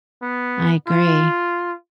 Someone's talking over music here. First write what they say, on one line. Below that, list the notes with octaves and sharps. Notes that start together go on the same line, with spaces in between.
I agree.
B3
F4